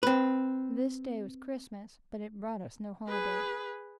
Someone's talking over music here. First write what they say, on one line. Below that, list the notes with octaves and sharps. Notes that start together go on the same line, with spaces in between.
This day was Christmas, but it brought us no holiday.
C4 B4
G#4 B4